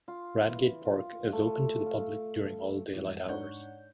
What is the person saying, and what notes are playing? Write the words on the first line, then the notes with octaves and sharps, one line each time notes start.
Bradgate Park is open to the public during all daylight hours.
F4
E3
F4
A3
F5
F2 G#2 E3 G3
G#2 D4 D#4 C#5 F#5 G6